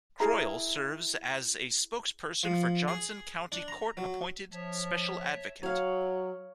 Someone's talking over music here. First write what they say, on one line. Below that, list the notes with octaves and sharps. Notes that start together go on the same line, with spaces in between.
Croyle serves as a spokesperson for Johnson County Court Appointed Special Advocate.
E4 G#4 A#4 A#5
F3
G#4
D4
A#5
F#3
F3 C#5 E5 A5
F#3 C#5 F5